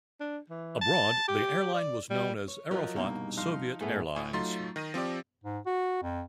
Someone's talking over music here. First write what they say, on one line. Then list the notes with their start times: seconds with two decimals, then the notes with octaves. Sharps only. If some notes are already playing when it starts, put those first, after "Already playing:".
Abroad, the airline was known as Aeroflot Soviet Airlines.
0.20 D4
0.50 E3
0.81 A5
1.28 G4
1.74 D5
2.10 G3
2.48 C#5
2.71 F3 F#3 A#4 D#5
2.96 C2 G2 B2 A#3 D#4
3.37 F3 D#4 E4 F5 C6
3.81 A2 A3 B3 E4 G#4
4.15 A2 G#5
4.33 F#3 A3 D#4 F4 C6 A6
4.76 D#3 A#6 D#7
4.94 F3 C4 G4 D5
5.44 G#2
5.66 F#4
6.02 F2